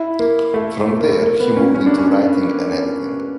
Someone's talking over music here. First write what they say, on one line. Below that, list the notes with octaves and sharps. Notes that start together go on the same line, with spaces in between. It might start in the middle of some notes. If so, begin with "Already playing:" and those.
From there, he moved into writing and editing.
Already playing: E4
A#3
A3
A3
A#3
A3
A#3
B3
C#4
C#4
D4
C#4